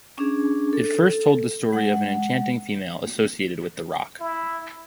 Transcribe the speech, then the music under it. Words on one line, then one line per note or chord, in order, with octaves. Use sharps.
It first told the story of an enchanting female associated with the rock.
C#4 D4 G#4
A4
G#3 F#5
E4